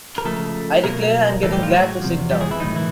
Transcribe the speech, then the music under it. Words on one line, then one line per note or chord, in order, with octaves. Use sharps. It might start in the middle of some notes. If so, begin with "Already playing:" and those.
I declare I’m getting glad to sit down.
A#4
C#2 C#3 F3 A3 A4
B1 B2 F#3 A3 A#3 A#4
A2 E3 G#3 A3 A4
G3 G4
F3 F4
F#3 F#4
E2 C3 F3
G3 G4
G#3 G#4
E3 E4
B1 A2 D#3 F#3 D#4
E3 E4